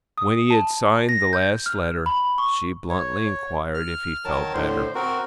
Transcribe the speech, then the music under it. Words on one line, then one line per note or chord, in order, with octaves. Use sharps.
When he had signed the last letter she bluntly enquired if he felt better.
D#6
A5
A#6
G6
F6
B5
C#6
C#5
F6
D#3 F#3 A#4 A5
A2 D3 C5
C4 F#4 A#4